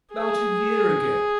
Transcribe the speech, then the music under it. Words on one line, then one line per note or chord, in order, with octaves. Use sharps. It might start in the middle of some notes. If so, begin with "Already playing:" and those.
"About a year ago."
G#4